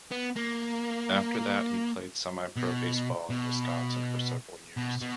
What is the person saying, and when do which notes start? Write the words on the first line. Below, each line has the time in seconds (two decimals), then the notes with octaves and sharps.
After that, he played semipro baseball in Wisconsin for several years.
0.11 B3
0.36 A#3
2.56 B2
3.30 B2
4.77 B2
5.01 B2